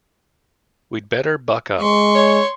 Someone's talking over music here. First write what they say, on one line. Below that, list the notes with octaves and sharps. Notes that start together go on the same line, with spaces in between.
We’d better buck up.
G#3 C6 C#6
C#5